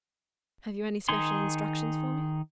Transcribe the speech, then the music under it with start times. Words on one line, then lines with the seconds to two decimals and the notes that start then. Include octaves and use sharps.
"Have you any special instructions for me?"
1.09 D#3 D#4 G#4 C6